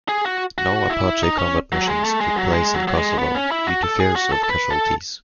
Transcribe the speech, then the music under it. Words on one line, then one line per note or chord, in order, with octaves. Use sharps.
No Apache combat missions took place in Kosovo due to fears of casualties.
G#4
F#4
F#4
E4
D#4
C#4
F#3
G#3
A3
G#3
F#3
G#3
F#3
F#3
G#3
B3
C#4
E4
F#4
A4
G#4
F#4
A4
A4
B4
A4